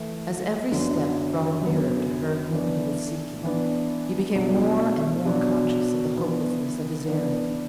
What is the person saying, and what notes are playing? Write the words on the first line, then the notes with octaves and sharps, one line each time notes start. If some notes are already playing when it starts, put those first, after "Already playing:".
As every step brought him nearer to her whom he was seeking, he became more and more conscious of the hopelessness of his errand.
Already playing: E3 A3 E4
F#2 D3 F#3 B3
F#2 D3 F#3 B3
E3 B3 D4
E3 B3 D4
B2 F#3 D4 F#4
B2 F#3 D4 F#4
E3 B3 D4
E3 B3 D4